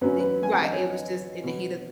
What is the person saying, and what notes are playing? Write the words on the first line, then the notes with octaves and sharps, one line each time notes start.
eh right, it was just in the heat of
F#2 F#3 C#4 B4
B4
G#5
F#5
D#5
C#5
B2 B3